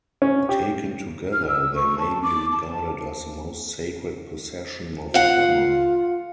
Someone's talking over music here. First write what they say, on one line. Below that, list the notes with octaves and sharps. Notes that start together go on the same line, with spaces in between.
Taken together, they may be regarded as the most sacred possession of a family.
C#4
G4
F6
E6
C#6
A5
D6
A5
F4 F5 F#5